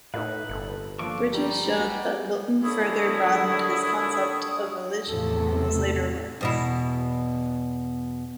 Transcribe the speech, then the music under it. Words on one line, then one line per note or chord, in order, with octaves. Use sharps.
Bridges showed that Milton further broadened his concept of elision in his later works.
A2 D#4 A#4 B4 E5
G1 A4
F3 A#3 D4 F4 A4 C#6 D6
G3 G4 A#5
F#4 B4
D#2 D3 D4 E4 C#5 D#6
E2 A2 C3 A4
E2 B2 E4